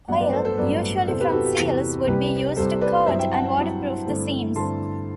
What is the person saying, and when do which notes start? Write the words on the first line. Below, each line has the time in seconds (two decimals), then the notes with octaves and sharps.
Oil, usually from seals, would be used to coat and waterproof the seams.
0.08 A1 G2 F#3 B3 D5 F#5
0.20 B4 D5
0.32 A4 C5
0.45 A4 C5
0.57 A1 G2 F#3 B3 B4 D5
1.08 E2 C3 E3 A4 C5
1.20 G4 B4
1.32 F#4 A4
1.45 G4
1.58 E2 C3 E3
2.07 C2 C3 G3 G4 B4
2.56 C2 C3 G3 A4 C5
2.81 B4 D5
3.06 G2 F#3 C4 E4 C5 E5
3.19 E5 G5
3.31 F#5 A5
3.57 G2 F#3 C4 E4
4.06 G2 D3 A3 C4 E4
4.56 G2 D3 A3 C4 E4 A5 C6